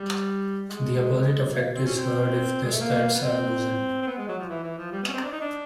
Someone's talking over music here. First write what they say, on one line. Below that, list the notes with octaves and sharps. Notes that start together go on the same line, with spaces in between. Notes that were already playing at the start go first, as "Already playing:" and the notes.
The opposite effect is heard if the studs are loosened.
Already playing: G3
G#3
A#3
C4
C#4
C4
G#3
A3
A#3
B3
C4
C4
B3
G#3
F#3
F3
E3
E3
F3
G3
B3
C#4
C4
D4
D#4
D4